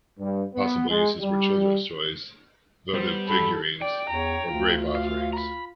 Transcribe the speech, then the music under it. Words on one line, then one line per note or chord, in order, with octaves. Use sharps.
Possible uses were children's toys, votive figurines or grave offerings.
G2
B3
G#3
G3
G3 B3 C5
G2 F#4 A4 B5
D5 G5
E2 C#5 A#5
D2 F4
F5
A#5 B5